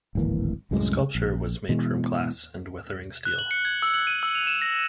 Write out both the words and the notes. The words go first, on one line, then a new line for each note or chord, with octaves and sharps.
The sculpture was made from glass and weathering steel.
D1 G#1 E3 A#3
C2 F#2 A2 G#3
A#1
B2 E3 G#3
F#6
F#7
C#7
G#6
E6
F#7
D#7
E6
F7
E7
A#6